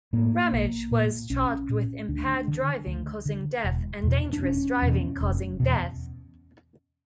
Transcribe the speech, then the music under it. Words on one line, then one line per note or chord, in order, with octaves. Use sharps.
Ramage was charged with impaired driving causing death and dangerous driving causing death.
A2 A#3
B1
A#2
B1 C#4
A#2
D2 D4
D3
D2
D3
E1
E2 B2
D4
E1 C#4
E2 B2
F1
E2 B2